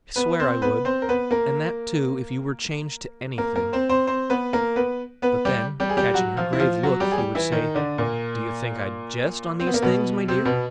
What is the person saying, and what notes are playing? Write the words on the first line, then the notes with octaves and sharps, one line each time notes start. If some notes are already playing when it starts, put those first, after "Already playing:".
I swear I would, and that too if you were changed to anything." But then, catching her grave look, he would say: "Do you think I jest on these things, my dear?
B3 B4
C4 C5
B3 B4
C4 C5
A#4
B3 B4
A#3 A#4
A#3 A#4
A#3 A#4
C4 C5
C4 C5
C4 C5
B3 B4
A#3 A#4
B3 B4
B3 B4
G3 G4
G3 G4
G#4
G3 G4
F#3 F#4
F3 F4
E4
F3 F4
F#3 F#4
G3 G4
G#4
G3 G4
E3 E4
D#3 D#4
D3 D4
A#2 A#3
C4
B3
A#3
B2 B3
C3 C4
B2 B3